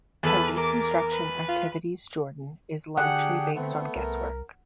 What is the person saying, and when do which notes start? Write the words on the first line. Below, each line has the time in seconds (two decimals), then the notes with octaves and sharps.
A reconstruction activities Jordan is largely based on guesswork.
0.23 E2 A4 B4 A5
0.57 A#4 D6
1.10 B4
1.48 F4
2.98 D3 D4 G4 G#4 F#5 G5
3.55 A3 B3 C4
3.95 C2 A#4